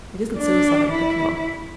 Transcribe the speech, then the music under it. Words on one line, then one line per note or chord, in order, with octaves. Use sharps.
It isn't suicide I am thinking of.
D4
E4